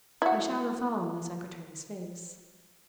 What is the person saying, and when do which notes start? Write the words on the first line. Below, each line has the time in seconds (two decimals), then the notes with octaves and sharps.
A shadow fell on the secretary's face.
0.22 E4 F#4